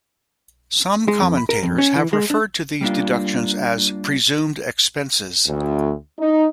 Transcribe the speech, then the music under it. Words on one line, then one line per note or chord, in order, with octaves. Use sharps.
Some commentators have referred to these deductions as "presumed expenses".
G#3
F2
B5
A#4
F2
C#4
E3
G#3
D4
G3 A#3 D4 F4
D2
D#4